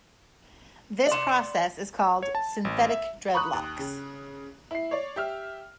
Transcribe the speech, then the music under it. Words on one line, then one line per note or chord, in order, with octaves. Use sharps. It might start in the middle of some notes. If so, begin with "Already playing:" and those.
This process is called synthetic dreadlocks.
D5 C6
C#5
A5
A1
E5
A#5 B5 C#6 D#6 F#6
D#2
C#3
E4 C7
C#5 D5
G4 E5 F6